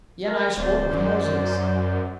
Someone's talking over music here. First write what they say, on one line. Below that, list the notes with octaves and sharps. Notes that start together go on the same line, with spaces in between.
Yet I spoke of houses.
A#4
D1 C5 D5
F#2